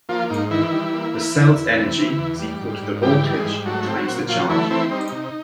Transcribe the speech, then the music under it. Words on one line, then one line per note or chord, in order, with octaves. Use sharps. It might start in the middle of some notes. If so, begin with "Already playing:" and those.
The cell's energy is equal to the voltage times the charge.
F3 A#3 F4
G#2 D#4
D#3 E3 E4
G3
A#3
E3
E2
E2
C3
E3
E2
G3
G#2
G#2
E3 G3 G4
G3
G4
G#3 G#4
G#2
F#3 A3 F#4
C4 G4
F#3 F#4
A#2
F3 F#3 F4
E3 A3 E4
E3 C4 E4
G3 D#4
C3